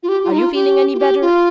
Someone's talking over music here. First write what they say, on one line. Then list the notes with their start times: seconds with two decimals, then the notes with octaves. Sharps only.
Are you feeling any better?'
0.03 F4
0.09 G4
0.24 F4
0.32 D#4
0.39 F4
0.54 G4
0.95 F4
0.99 G4
1.21 F4